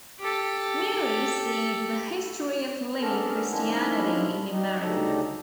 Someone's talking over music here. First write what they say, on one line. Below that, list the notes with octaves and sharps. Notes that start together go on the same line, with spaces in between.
Marie see the History of Living Christianity in America.
G4 A4
B3 C#4 D4 A4 A#4
D#3 F3 G#3 C#4 D4 E4
G3 D#4
D2 C#3 G3 D#4 A4 A#5